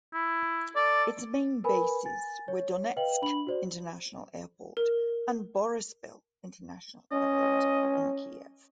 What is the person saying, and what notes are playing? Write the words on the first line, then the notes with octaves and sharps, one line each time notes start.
Its main bases were Donetsk International Airport and Boryspil International Airport in Kiev.
E4
A4 D5
A#4 B4 G#5 B5
G#5 A6
C#5
B4 D#5 F5 G5 F#7
D4 B5 F#7
F#4 C5 D5
A#4
C#4 D#5